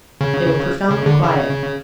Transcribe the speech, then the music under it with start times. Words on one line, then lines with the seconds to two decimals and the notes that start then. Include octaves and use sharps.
They were profoundly quiet.
0.21 C#3
0.90 C#3
1.06 D3
1.24 C#3